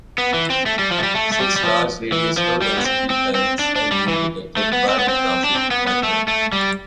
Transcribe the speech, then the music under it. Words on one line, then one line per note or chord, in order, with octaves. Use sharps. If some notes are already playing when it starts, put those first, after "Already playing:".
Six large-radius low-density planets have been detected by the transit method.
B3
E3
C4
A3
G3
F3
A3
G3
A3
A3
G3
G3
F3
E3
F3
G3
B3
C4
C4
C4
D4
D4
G3
E3
A3
B3
C4
B3
C4
D4
C4
B3
B3
A3
A3
G3